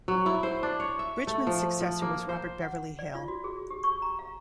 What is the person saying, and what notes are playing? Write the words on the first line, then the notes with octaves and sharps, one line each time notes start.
Bridgman's successor was Robert Beverly Hale.
F#3
E4
C5
D4
C#5
E5
A3
F3
F3
A#3
C5
F#5
D5
F4
F#4
G#4
G4
C#6
A#5
F5